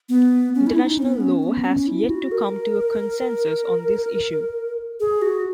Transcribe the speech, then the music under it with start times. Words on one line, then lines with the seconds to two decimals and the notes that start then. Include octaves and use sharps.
International law has yet to come to a consensus on this issue.
0.09 B3
0.55 C#4
0.67 E4
0.76 D#4
0.98 C#4
1.02 B3
1.20 C#4
1.43 B3
1.65 C#4
1.87 E4
2.10 F#4
2.32 A#4
5.00 G#4
5.22 F#4